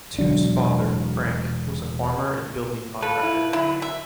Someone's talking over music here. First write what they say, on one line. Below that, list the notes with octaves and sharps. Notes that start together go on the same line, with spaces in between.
Toots' father, Frank, was a farmer and building contractor.
E1 F#3 D4
F3 A4 B4
E4
D3 F#3 E4
E5